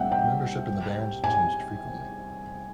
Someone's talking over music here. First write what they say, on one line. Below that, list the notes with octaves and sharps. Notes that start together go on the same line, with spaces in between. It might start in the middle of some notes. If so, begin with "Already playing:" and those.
Membership in the band changed frequently.
Already playing: C2 B2 G3 A#3 C#4 E5 F#5 G5
G5
G#5